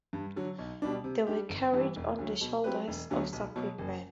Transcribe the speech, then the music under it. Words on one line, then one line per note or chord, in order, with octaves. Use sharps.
They were carried on the shoulders of sacred men.
G2
D3 F#3
B1
B2 G3 D4
C3
G3 D4 G4
G1
G2 E3 G3
E1
D2 D3 F#3
B2
F#3 C4 G4 B4
E1
D2 D3 F#3 B3
B1
B2 F#3
F#1